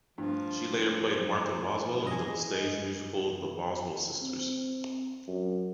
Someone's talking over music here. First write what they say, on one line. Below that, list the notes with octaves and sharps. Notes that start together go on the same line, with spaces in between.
She later played Martha Boswell in the stage musical "The Boswell Sisters".
G2 F3
G#4 D#5
C4
F#2